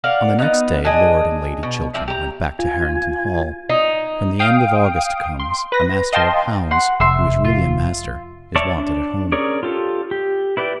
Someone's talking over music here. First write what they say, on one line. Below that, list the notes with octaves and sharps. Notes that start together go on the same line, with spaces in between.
On the next day Lord and Lady Chiltern went back to Harrington Hall. When the end of August comes, a Master of Hounds,--who is really a master,--is wanted at home.
A#4 D5 F5 F#5
B3 D#4
D4 G#4 D#5 G#5
B2
F3 C4 D5 E5
G4 A#5
F4 G#5
D#4
F5 G5 D#6 D7
C6
B4 A#6
D#5 F5 G5 A5 C6
F#5 C6
F1 E5 C6
F4
C#5 D5 E5 A5
D4
C#4 G#4 A#4 C#5 D5
F4 G4 A4
G4
E4 B4 D5 G5